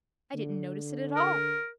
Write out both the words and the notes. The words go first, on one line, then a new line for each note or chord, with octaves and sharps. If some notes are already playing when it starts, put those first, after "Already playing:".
"I didn't notice it at all."
D3
A#4